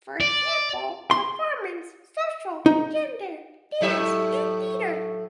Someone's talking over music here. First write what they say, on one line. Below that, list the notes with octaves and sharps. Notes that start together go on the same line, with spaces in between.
For example: performance, social, gender, dance, and theater.
D5
C6
D#4
A2 F#3 E5